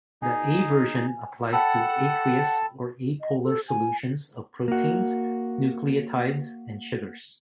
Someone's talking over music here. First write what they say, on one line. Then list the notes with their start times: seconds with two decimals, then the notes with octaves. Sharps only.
The A-version applies to aqueous or apolar solutions of proteins, nucleotides, and sugars.
0.22 D#4 G#4 G#5
1.53 A4 F#5 G5 A5 B5 E6
3.21 D#5
3.44 A4
3.69 G#5
4.68 A#3 F#4